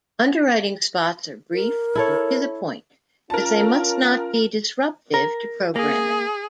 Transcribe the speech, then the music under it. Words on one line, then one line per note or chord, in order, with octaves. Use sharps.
Underwriting spots are brief and to-the-point, as they must not be disruptive to programming.
A#4
E4 A4 C#5
C#4 F4 A#4 A5
A#4
A#3 G#4